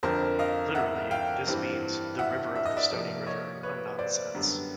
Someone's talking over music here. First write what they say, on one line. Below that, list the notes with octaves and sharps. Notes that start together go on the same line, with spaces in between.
Literally, this means "the river of the stony river", a nonsense.
F2 D3 F3 A#4 C5
D#5 F5
E5 F#5
F5 G5
G2 E3 G3 C4
E5 F#5
E5
D#5
D5 E5
C3 F3 A#3 D5 E5
C#5 D#5
B4 C#5
C5 D5
F#2 D3 G3 B3